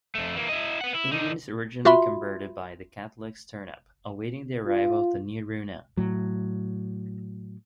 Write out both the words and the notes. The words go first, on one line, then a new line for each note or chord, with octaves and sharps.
Indians originally converted by the Catholics turn up, awaiting the arrival of the Niaruna.
F2 A3
E3 A#3
E4 D#5
B4 F#5
E4
D3 D#4
F4 F#4 E5 B5 C6
F4
A2 F#3